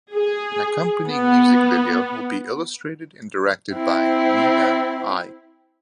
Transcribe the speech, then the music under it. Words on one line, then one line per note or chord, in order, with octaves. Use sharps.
An accompanying music video will be illustrated and directed by Niina Ai.
G#4
B3
C4 E4